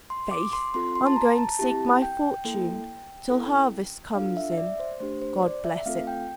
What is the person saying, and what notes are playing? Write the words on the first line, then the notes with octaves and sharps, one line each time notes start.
"Faith, I'm going to seek my fortune till harvest comes in, God bless it!"
C6
D6
C6
C4 F4 A4 C6
C6
A5
A#5
A5
C4 E4 G4 A5
G5
A#3 E4 A4
C4 E4 A4
D4 F4 A4 F5
E5
E5
D5
C5
A3 D4 G4 C5
C5
D5
E5
A3 C4 F4 A4 F5
G5